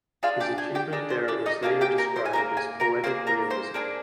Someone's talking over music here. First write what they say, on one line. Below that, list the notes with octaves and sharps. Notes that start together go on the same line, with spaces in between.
His achievement there was later described as poetic realism.
D4 F4 G#4 F5
G4 G5
G#4 G#5
G4 G5
D4 G#4 A#4
C5
D4 D5
D#4 D#5
A#3 D4 F4 G#4 F5
G4 G5
A#4 A#5
C5 C6
G#5
A#3 D4 G#4 A#4 A#5
G#4 G#5
A#4 A#5
A#3 D4 G#4 C5 C6
A#4 A#5
C5 C6
A#3 D4 G#4